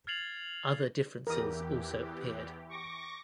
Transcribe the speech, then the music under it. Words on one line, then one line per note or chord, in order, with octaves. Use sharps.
Other differences also appeared.
F6 G#6 A6 C7 F7 F#7
E2 E3 G4 A#4 D#6
C#6 D6 A#6